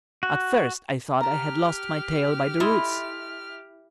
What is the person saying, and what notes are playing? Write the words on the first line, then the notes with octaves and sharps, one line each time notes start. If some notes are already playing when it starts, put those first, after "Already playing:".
At first I thought I had lost my tail by the roots.
F#4
G4 A5 A#5 F6
E4 A4 D#5 C6